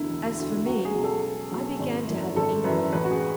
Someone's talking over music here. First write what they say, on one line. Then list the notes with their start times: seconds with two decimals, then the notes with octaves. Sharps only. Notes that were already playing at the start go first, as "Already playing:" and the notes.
As for me, I began to have an inkling.
Already playing: E1 D2 D3 E4
0.10 E1
0.38 D2 D3
0.66 C#2 F#4
0.85 G#4
0.94 B2 F#3
1.03 A4
1.23 C#2
1.51 B2 F#3
1.79 G#1
2.07 F#2 E3
2.36 G#1 A4
2.64 F#2 E3 B4
2.92 A1 B4
3.04 F#4
3.11 G#4